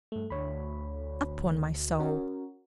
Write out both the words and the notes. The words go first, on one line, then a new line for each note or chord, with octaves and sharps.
Upon my soul!
G2 A3
D2 C#5 B5
C#4 F#4 A#4